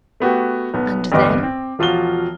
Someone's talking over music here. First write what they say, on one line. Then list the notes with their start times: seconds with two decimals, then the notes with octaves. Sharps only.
"And then?"
0.20 A3 B3 F#4 G4
0.74 B1 B3
1.12 A1 D2 G2 B3 D#5 D6
1.43 C4
1.79 E1 F3 F4 F#4 F6 G7